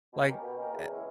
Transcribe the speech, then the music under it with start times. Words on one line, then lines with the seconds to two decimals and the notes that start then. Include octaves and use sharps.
like, a
0.13 B2
0.27 A#3 C#4 G4 A#4
0.43 B2
0.58 A#3 C#4 G4 A#4
0.73 E2
0.88 C#3 G#3 C#4 E4